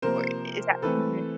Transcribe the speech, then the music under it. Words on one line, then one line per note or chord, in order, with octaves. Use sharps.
or is that Mhm.
C3 F3 A#3 A#4 C5
E3 A3 C4 A4 B4